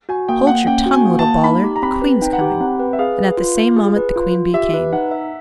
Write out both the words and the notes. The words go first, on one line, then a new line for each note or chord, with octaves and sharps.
"Hold your tongue, little bawler! The Queen's coming." And at the same moment the Queen Bee came.
F#4 G#5
A#3 G5
A#3 F#5
C#4 G5
F#4
G#5
A#3
A5
A#3
D#4 B5
G4
A#5
C4 B5
B4
D#4 G5
F#5
G4 G5
C4 F#5
B4
E5
G#4 F5
B4
F4
F4
G#4
B4
F4
F4
G4 E5
B4
D#4 F#5
E5